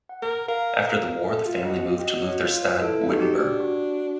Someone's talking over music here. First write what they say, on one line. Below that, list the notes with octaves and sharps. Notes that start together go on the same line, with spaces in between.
After the war the family moved to Lutherstadt Wittenberg.
F#5
A#4
A#4 F5
A#4
A4 E5
F4
F#4 D#5
F4
G4
F#4 D#5
C#5
F4
B4
E4 A4
D#4 F#4
G4
D4
F#4